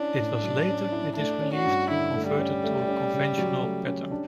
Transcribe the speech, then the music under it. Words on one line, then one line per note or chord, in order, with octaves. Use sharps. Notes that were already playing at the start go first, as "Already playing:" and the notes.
It was later, it is believed, converted to a conventional pattern.
Already playing: C#4 D4 E4
A2
F#3
C#4
E4
A3 D4
C#4
F#4
G2
D3 E4
A3
G3
C#4
A3
C#4
C#3
F#3
A3
C#4
D4